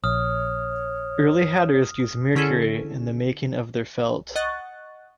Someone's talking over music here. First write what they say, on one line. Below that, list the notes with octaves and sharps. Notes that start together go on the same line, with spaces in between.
Early hatters used mercury in the making of their felt.
A#1 C#5 D#6 F6
D3 C#4 E4 G#4 A4
D#5 F#5 C#6 F#6 A6